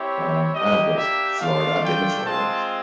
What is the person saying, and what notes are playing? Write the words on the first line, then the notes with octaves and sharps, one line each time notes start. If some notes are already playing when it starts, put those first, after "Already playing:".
um, I don't go to Florida. I've been to Florida,
Already playing: C4 E4 G4 C#5
A#3 D4 G4 D#5
E5
A3 D4 F4 F5
G5
G#3 C4 F4 A5